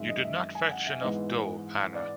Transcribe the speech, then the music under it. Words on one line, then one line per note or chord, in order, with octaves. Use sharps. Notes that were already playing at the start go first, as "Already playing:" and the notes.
You did not fetch enough dough, Anna.
Already playing: F#2 D#3 G#3 E5
D#5
E5
G#5
F#5
E5
G#2 E3 G#3 B3 D#5
D5